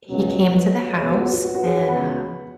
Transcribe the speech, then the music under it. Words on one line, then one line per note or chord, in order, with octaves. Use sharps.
he came to the house, and, um
C#2 B2 F#3 C#4 F#4
D#5
C#5
F#4 B4
D#5
C#2 B2 B3 G#4 C#5
F#4 B4
C#5
F#4 B4
F#4
F#4
F#4 B4
G#4 C#5
C#5 F#5
C#2 C#3 B3 F#4 F#5 B5